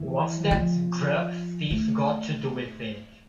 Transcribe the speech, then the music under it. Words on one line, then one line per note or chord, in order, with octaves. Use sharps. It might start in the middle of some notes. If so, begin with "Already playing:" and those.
What's that grub-thief got to do with it.
Already playing: E3
F3
A3